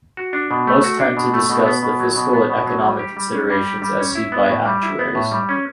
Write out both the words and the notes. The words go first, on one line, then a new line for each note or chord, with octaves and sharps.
Most tend to discuss the fiscal and economic considerations as seen by actuaries.
F#4
D4
B2
A3
F#4
D4
B2
A3
B2
B3
B2
F#3
B2
B3
B2
F#3
G3
G4
G3
C#4
G3
G4
G3
C#4
E4
B3
A2
G3
E4
B3
A2
G3
C#4